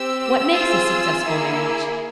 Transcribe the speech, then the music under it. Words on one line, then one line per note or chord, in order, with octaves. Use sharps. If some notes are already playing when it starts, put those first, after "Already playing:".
What makes a successful marriage?
Already playing: C4 G4 E6
C4 F4 G#4
A#3 E4 G#4